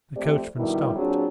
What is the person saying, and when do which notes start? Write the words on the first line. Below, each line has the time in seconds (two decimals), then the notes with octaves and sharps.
The coachman stopped.
0.16 F2 A3 C4 G4 C5 D5
0.57 F2 B2 D3 D#3 G3 E4
0.95 A#2 F#3 C4 D4 F4 G#4